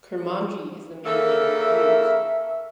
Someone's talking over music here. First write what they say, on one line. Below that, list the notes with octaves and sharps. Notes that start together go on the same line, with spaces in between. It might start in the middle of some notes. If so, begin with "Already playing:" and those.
Kurmanji is the main language used.
C#3 A#3 A4 A#4 E5